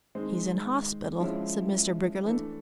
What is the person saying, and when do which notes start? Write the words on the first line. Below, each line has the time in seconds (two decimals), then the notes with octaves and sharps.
"He's in hospital," said Mr. Briggerland.
0.15 D#3 G#3 C4
1.20 F3 G#3 C#4 E4
2.26 E3 A3 D4